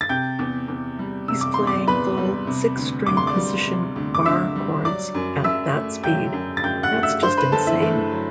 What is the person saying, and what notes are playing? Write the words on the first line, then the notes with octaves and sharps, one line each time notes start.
He's playing full, six-string-position barre chords at that speed-- that's just insane.
A6
C3 G5 G6
E2
E2
G3
C3 E6
D6
E2 C6
D5 D6
E2 B4 B5
G3
C3
D2
D2 D6
C6
D5 D6
G3
C3
D2
D6
D2 E5 E6
G3
F#3 D5 D6
F#2
F#2 E5 E6
A3
F#3 G5 G6
F#2
A6
F#2 G5 G6
F#5 F#6
A3
E5 E6
G2 C5 C6
B4 B5
G1 A4 A5
E4 E5
A3 A4
F#3